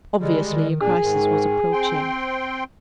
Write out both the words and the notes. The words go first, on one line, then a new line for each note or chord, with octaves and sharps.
Obviously, a crisis was approaching.
D3 G3 G#3
D#3
A#2 D4 G#4
G#2 D#3
C4 G5 C6